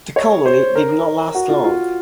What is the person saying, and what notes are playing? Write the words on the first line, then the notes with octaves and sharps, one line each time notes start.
The colony did not last long.
C#5
C5
A#4
F#4
F4
F4